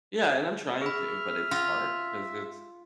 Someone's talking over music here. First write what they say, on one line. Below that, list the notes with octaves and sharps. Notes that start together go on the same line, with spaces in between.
Yeah, and I'm trying to, but it's hard, 'cause it's
G#4 E5 B5 F6
C#4 F4